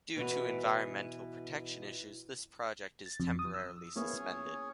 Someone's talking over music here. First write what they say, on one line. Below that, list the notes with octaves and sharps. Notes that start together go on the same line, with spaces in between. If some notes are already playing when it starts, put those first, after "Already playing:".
Due to environmental protection issues, this project is temporarily suspended.
B2 E3 E4 F#4
A6
F2
D#6
E6
A#3 B3 C#4 E4 G#4 C#5